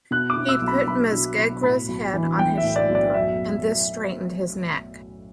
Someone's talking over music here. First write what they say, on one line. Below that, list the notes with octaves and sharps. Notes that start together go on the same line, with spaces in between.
He put Mesgegra's head on his shoulder, and this straightened his neck.
B2 F#6
D6
B2
E6
B1
B5
B1 B5
B2
B2
A2 B5
B1
E3
B1 G5
E5
A2
D5
B1
D5
F#2 E5